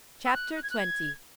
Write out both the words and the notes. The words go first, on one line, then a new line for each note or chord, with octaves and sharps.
Chapter XX.
E6
F#6
F#6
G#6
F#6
G#6